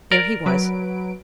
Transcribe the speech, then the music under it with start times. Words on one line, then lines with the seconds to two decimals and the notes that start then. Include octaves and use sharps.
There he was!
0.12 A#4 D5
0.46 F#3 B4 D7